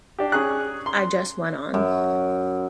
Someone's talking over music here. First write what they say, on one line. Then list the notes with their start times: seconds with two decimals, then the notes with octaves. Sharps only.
I just went on.
0.19 D4 G4
0.32 C#4 G#4 F#6
0.86 C6
1.74 F#2